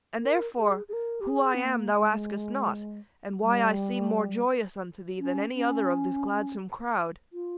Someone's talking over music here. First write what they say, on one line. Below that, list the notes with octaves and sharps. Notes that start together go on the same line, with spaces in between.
And therefore who I am thou askest not, And why I seem more joyous unto thee Than any other of this gladsome crowd.
A#4
G#4
G#4
A#4
G4
G#4
C4
A#3
G#3
G3
C#4
C#4
F4